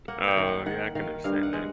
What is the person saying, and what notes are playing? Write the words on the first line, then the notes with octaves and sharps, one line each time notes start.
Oh, yeah, I can understand that.
A#3 F#5
G5
D#3
F#5
D#3 F#5
D#3 F5
G2 F5
F#5
G#3